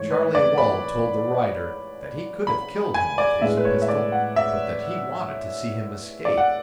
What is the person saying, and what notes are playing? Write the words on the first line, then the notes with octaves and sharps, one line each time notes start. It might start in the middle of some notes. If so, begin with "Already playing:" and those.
Charlie Wall told the writer that he could have killed him with his pistol, but that he wanted to see him escape.
Already playing: G#2 E3 A3 C#5
B4
D5
B5
B5
G#5
D5
A2 G#3 B3 D4 E5
B4
C#5
E5
D5
F#5
E5
D5
F#5